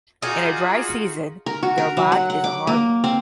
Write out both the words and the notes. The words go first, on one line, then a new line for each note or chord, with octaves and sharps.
In a dry season their lot is a hard one.
D#4 F4 F#4 G#4 A#4 D5 G#5
A#4
F#4
A#4
F#3
F#5
F#5
D6
A#3
C4